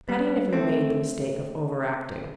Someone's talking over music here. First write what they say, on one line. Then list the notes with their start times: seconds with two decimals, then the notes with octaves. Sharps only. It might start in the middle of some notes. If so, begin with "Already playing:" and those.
Patty never made the mistake of over-acting.
0.09 G3 B3
0.53 A3 C4